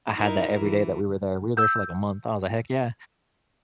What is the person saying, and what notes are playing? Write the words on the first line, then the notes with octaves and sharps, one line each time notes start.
I had that every day that we were there, we were there for, like, a month, I was like, "Heck yeah."
D#4 E4 A#4
E3
E6 G6